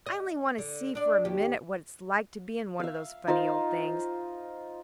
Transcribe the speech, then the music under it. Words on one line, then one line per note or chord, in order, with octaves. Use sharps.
I only want to see for a minute what it's like to be in one of those funny old things.
D#5
D3
D4 D5
D#2 G4
E5 F5
D#4 F4 C5 F5